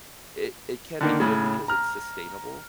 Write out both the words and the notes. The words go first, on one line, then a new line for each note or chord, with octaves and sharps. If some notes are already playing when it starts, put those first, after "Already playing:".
it it can be good because it's sustainable,
D3 D#3 A#3
A2 C#3
A#5 F6